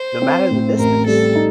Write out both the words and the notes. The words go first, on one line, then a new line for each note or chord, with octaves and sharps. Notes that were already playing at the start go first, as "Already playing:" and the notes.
no matter the distance,
Already playing: C5
C4
A2
A1 A#4
G3 A4
D#4